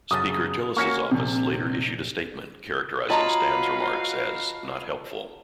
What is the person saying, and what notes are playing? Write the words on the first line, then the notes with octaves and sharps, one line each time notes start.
Speaker Tillis' office later issued a statement characterizing Stam's remarks as "not helpful".
F#2 C#3 A5 D#6
A#3 C#4 F#4 C#6 F6
A#1 C3
F4 F#4 B4 C#5 D#5 F5 A5 A#5